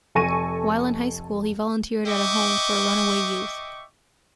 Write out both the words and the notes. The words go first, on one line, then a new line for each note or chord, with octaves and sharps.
While in high school, he volunteered at a home for runaway youth.
F1 A4 G#5 C#6 A#6 D#7
D#5 E5 G5 C#6 D6